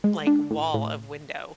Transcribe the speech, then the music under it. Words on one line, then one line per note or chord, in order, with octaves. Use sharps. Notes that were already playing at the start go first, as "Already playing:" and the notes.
like, wall of window
G#3
D4
A2
A2